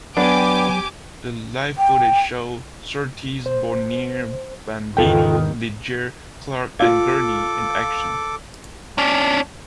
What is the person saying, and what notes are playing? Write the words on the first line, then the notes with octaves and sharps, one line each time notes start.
The live footage shows Surtees, Bonnier, Bandini, Ligier, Clark and Gurney in action.
F#3 B3 D4 G4 G#5 D6
G5
C5
E2 G#2 D#3 F4 A4 G5
F4 A4 F5 D6
C#4 D4